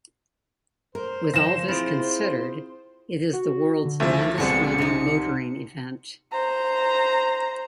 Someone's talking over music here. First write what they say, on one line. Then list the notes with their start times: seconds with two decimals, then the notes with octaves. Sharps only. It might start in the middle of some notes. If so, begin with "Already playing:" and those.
With all this considered, it is the world's longest running motoring event.
0.95 A#4 C5
1.34 C#3 F3 A#6 E7
1.68 C4 E4 F4 G#4
3.33 F#4
3.85 D3
4.00 D2 F3 A3 E4
4.38 C2 B2 D3 G#3 C4 C#7
4.78 C3 D#4
6.32 C5 A#5